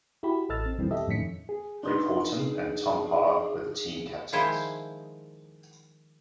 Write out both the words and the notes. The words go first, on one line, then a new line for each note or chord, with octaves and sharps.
Rick Horton and Tom Parr were the team captains.
E4 F#4 G4 B5
A1 A4 D#5 E6 F6 A6
C4
E2 B2 D#3 E3 G3 C4
G4 A4 D#5 E5
F2 A2 D#3 C#4 B6 C#7
G#4
D4 D#4 B4 C6
G#4
D#3 F3 G#3 E4 C5